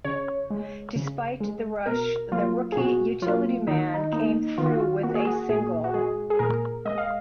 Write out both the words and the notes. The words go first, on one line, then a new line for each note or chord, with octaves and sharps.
Despite the rush, the rookie utility man came through with a single.
C#3 C#5
G#3
C#3
G#3
B2 A#4
F#3 A#3 F4
G#4
B2 F#4
F#3 A#3 F4
D#3 D#4
D#4
A#3 D#4
D#3 F4
F#4
F4
A#3 F#4
G#4
F#4
A#2 G#4
F#4
G#3 G#4
G#4
A#2 A#4
G#3 D#5
F5